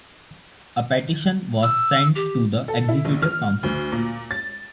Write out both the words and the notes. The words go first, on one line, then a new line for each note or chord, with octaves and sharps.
A petition was sent to the Executive Council.
E6
G4
A4
E4
A#1
F6
D2
A#2
A6